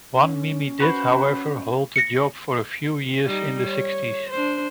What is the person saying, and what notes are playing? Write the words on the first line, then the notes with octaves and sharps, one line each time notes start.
One Mimi did, however, hold the job for a few years in the sixties.
C#4
F#4 B4 C5
A#6 C#7
G3 D#4
C#5
D4 C5